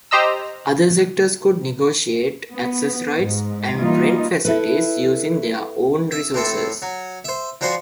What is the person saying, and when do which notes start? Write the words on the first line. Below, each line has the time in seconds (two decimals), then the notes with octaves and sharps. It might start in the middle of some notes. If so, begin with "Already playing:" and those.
Other sectors could negotiate access rights and rent facilities, using their own resources.
0.11 G4 C5 D#5 A#5 E6
2.53 B3
3.20 G#2
3.77 E3 G3 A#3 D#4 F4
4.45 E4 A4 B4
6.12 E5
6.34 A2 C4 A4
6.82 F#3
7.25 C5 E5
7.61 F3 G3 F#4 C5